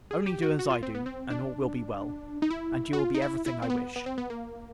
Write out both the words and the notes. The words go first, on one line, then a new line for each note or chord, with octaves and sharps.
Only do as I do; and all will be well, and you will be every thing I wish.
G#4
G4
F#4
F#4
F4
C4
B3
C4
D4
D#4
E4
F#4
F4
D#4
E4
E4
C4
B3
B3
C4
B3
A#3